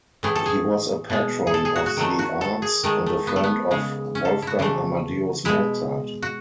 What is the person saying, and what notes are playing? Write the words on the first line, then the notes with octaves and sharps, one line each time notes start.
He was a patron of the arts, and a friend of Wolfgang Amadeus Mozart.
A2 E3 A3 G#4
A4
G#4
B2 G#3
G#4
A4
G#4
F#4
F#4
D#3 F#3 A3
F#4
A4
G#4
D#3 G#3 A3
A3
B3
A3
B3
C#3 G#3
C#4
A4
E4 F#4
C#3 E3 A3
B2 G#3 E4
F#4